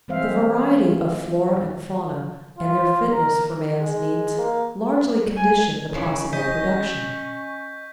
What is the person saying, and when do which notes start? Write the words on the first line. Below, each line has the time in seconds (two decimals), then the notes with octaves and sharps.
The variety of flora and fauna, and their fitness for man's needs, largely condition the possible production.
0.08 E3 G#3 C4 C5 E5 F5
2.58 F4
3.12 A#4
3.80 G#3
4.38 A#3
5.36 G#5
5.94 C#3 E3 C#4
6.33 D#5 C#6 G6 B6